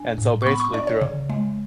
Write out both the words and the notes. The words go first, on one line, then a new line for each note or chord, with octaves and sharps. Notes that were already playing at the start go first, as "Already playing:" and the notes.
And so basically throughou
Already playing: D4 G#5
A2
C#6
B3 B5
C#6
D4 D5
C#5
C#3
G#3